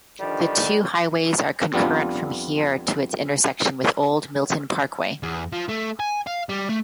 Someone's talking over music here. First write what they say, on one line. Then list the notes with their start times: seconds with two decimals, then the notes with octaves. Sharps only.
The two highways are concurrent from here to its intersection with Old Milton Parkway.
0.20 G2 D3 D#3 F3 G3
1.73 F2 G3 B3 D4 F4
5.23 E2
5.52 F3
5.69 A3
6.00 G#5
6.27 F5
6.49 G3
6.69 A3